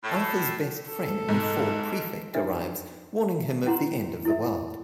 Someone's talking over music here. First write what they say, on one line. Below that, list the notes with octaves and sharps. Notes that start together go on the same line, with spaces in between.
Arthur's best friend, Ford Prefect, arrives, warning him of the end of the world.
A2
A4
G#2
D4 D#4 F#4 B4 E5
C#4 E4 G4 F#5 A#5 C6
E4 A4 E5